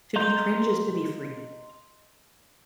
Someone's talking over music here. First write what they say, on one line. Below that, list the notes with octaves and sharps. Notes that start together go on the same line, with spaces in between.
To be cringe is to be free.
D#5 F5 A#5 C6 G6